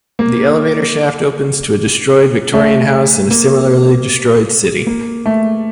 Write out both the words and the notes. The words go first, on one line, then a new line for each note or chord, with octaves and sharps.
The elevator shaft opens to a destroyed Victorian house in a similarly destroyed city.
A#3
A3
A#3
A#3
A3